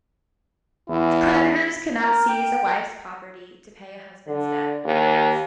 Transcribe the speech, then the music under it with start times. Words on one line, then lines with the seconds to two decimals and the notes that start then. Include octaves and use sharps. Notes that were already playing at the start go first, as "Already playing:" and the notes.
Creditors could not seize a wife's property to pay a husband's debts.
0.89 E2 E4
2.01 A#4
2.29 G5
4.27 D3
4.85 D#2